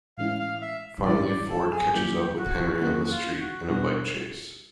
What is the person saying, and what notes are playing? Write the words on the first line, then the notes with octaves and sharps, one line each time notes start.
Finally Ford catches up with Henry on the street in a bike chase.
A2 E3 G#3 C#4 E4 F5
F5
E5
A2 E3 G#3 C#4 E4 D5
D5
A4
G#4
D#3 F#3 A#3 C#4 E4 G4
F#4
D#3 F#3 A#3 C#4 E4 F#4
F4
F#4
B2 G3 B3 D4 F#4